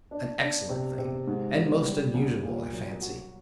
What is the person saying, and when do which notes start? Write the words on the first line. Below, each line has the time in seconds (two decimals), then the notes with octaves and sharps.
An excellent thing--and most unusual, I fancy.
0.11 D4
0.40 D4
0.69 C3
0.98 C3
1.27 G#2
1.56 G#2
1.85 G3
2.14 C2
2.43 A#2
2.73 F#3
3.02 F#4